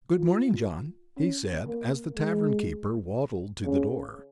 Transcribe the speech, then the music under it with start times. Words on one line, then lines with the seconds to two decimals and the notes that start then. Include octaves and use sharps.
"Good-morning, John," he said, as the tavern-keeper waddled to the door.
0.18 F4
1.17 C#4
1.67 A#3
2.17 G#3
3.66 C#3